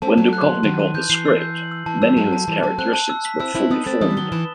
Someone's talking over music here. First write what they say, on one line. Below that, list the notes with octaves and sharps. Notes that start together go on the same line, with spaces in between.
When Duchovny got the script many of his characteristics were "fully formed".
A3 C4 A5
F#3 A3 A5
F#6
C6
D#3 F#3 D#7
D#7
E3 G6
E3 C7
E6
G6
F#7
E6
E3 A5
E3 G3 E6
F#3 A3 A5
A5
E3 G3 A5
F#3 A3 A5
A3 C4 F#6
A5
E6
B6
C4 E4 E6
C4 E4 F#7
B3 D#4 D#6
A3 C4 A6
E3 G3 D#6
D#3 F#3 G7
E3 E7